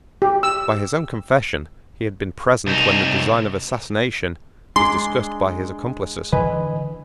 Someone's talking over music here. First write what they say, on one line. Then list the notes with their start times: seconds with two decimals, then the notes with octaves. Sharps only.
By his own confession he had been present when the design of assassination was discussed by his accomplices.
0.22 G4
0.43 E6
2.67 C2 D#4
4.76 G#3 D4 G#5 A#5 C6 D6
6.33 D3 E3 B4 D#5 G#5